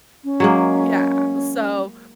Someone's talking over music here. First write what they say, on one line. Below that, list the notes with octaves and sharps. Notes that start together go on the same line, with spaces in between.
Yeah, so,
C#4
F#3 G#3 A#3